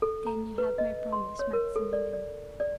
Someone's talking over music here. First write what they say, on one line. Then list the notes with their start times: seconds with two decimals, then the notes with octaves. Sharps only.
"Then you have my promise, Maximilian."
0.02 A4
0.27 A#5
0.58 B4
0.78 D#5
1.12 C6
1.39 C#5
1.53 A#4
1.76 A4
1.93 D5
2.13 D5
2.60 D5